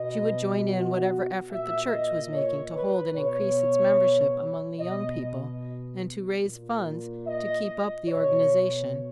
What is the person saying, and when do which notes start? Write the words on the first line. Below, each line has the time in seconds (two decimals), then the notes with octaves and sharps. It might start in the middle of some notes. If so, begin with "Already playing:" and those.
She would join in whatever effort the church was making to hold and increase its membership among the young people, and to raise funds to keep up the organization.
Already playing: B2 D#5
0.69 F#4
1.50 A#2 E5
1.91 D#5
2.33 C#5
2.74 B4
3.14 B2 C#5
4.79 B2 D#5
6.43 A#2
7.26 D#5
8.08 B2 C#5